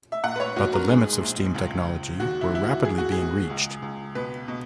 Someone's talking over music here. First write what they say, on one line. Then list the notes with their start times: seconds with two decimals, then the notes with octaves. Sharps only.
But the limits of steam technology were rapidly being reached.
0.12 E5
0.24 A#2 F#5
0.36 B4
0.40 C#5
0.56 B1 F#4
0.73 A#4
0.89 G#2 G#4
1.22 A#1
1.54 C#2
1.87 C#2
2.20 D#2 F#4
2.41 E4
2.52 D#2 E4
2.63 F#4
2.84 E3 G#4
2.98 F#4
3.12 G#4
3.17 A#1
3.50 C#2
3.82 C#2
4.15 B2 B4
4.48 B2